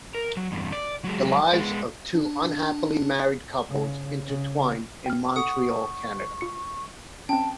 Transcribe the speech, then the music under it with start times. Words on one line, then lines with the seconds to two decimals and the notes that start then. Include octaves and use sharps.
The lives of two unhappily married couples intertwine in Montreal, Canada.
0.15 A#4
0.37 F#3
0.52 E2 G2
0.72 D5
1.05 F#3 G#3
1.53 G#3 B3
2.14 D4
3.68 C#3
4.25 C#3
5.06 G5 F6
5.36 A4 F#5 C#6 D#6
6.41 F4 C#7
7.29 C4 C#4 G5 A5